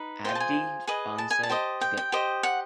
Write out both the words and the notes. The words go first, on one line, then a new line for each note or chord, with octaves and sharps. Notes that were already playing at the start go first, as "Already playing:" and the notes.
Abdi Bangsa Tbk.
Already playing: D#4 B4
F4 G#4 C5 G5
A5
G#5
G#4 B4 D#5
A5
G#5
A5
G4 C5 D#5
G5
G5
G4 C5 D#5
F#5